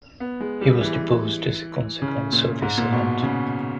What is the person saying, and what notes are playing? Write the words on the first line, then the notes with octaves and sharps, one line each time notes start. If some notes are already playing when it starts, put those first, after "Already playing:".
He was deposed as a consequence of this event.
B3
G#3
G3
E3
C#3
A#2
G#2
A#2
B2
C#3